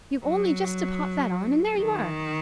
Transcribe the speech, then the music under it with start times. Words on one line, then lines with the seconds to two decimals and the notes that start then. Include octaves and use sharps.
You've only just to pop that on, and there you are.
0.25 F#3
1.77 D#3